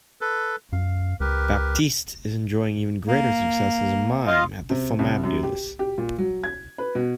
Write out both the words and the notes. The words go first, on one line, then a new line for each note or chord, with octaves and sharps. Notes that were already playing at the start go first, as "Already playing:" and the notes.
Baptiste is enjoying even greater success as a mime at the Funambules.
A4 B4
F#2 F5
C#2 G4 A#4 B4
A#3
F4 D#5 F5
C3
C2
F#2
G4
G4
A#2
F#3
G#6
B4
B2